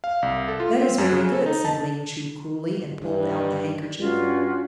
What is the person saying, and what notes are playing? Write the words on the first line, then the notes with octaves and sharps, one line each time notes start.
"That is very good," said Ling Chu coolly, and pulled out the handkerchief.
F5
C2
A4
F4
C4
F#2
C#3
A4
D#4
A5
G2
G2 C#4 F4 F#4